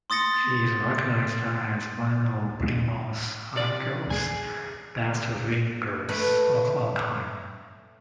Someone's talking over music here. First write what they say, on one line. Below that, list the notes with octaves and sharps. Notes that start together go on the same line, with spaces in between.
He is recognised as one of Plymouth Argyle's best wingers of all time.
C6 D#6 A6 A#6 C#7
C3 D5
G#4 G#5
A3 B4